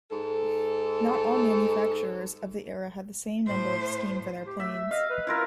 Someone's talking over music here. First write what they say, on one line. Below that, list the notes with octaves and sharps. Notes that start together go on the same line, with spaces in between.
Not all manufacturers of the era had the same number scheme for their planes.
G#2 A4
A2 C5
G4
A3 E5
D#5 F5
B4
E4 F4 A#4